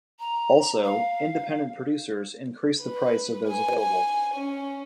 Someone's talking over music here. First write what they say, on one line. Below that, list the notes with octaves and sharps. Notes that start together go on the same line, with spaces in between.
Also, independent producers increased the price of those available.
A#5
F5
B4
G#5
G#5
C#4